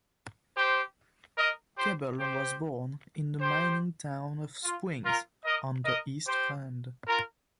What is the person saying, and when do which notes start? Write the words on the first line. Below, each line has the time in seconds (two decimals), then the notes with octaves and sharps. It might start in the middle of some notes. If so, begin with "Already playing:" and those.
Kebble was born in the mining town of Springs, on the East Rand.
0.56 G4 C5
1.38 A#4 D#5
1.78 G4 C5
2.19 G4 C5
3.41 G4 C5
4.63 F4
5.04 F4 A#4
5.45 A#4 D#5
5.85 A#4 D#5
6.26 G4 C5
7.07 F4 A#4